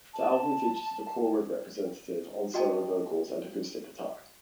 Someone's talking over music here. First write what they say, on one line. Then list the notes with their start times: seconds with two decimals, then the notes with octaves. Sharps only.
The album features the Corwood Representative on solo vocals and acoustic guitar.
0.14 A5
2.54 F#4 D#5 G5 A5